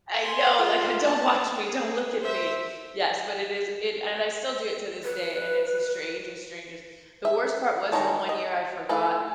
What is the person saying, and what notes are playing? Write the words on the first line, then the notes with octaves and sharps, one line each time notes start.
I know, like, uh, "Don't watch me, don't look at me." Yes, but it is it and I still do it to this day, and it's the strangest, strangest The worst part was the one year I forgot
G#5 C6
F4
A5
G#4
C5 E5
B4
E5
D#3 G#3 D#4 C#5 A5
D#5
A3 E4 F4 G#4 A4